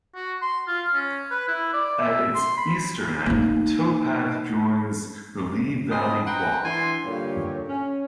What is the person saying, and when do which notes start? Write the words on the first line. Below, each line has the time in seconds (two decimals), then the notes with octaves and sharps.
At its eastern end, the towpath joins the Lea Valley Walk.
0.15 F#4
0.42 C6
0.68 F4
0.94 C#4
1.31 B4
1.48 E4
1.73 D5
2.01 E5
2.35 C6
2.57 B5
3.26 A#3 D#4
5.90 A#2 C4 D#5 A5 B5
6.26 B4 F#5 G5 A#5
6.64 E3 D4 G#5 C6
7.05 G2 A#2 D3 G4 C#5
7.68 C#4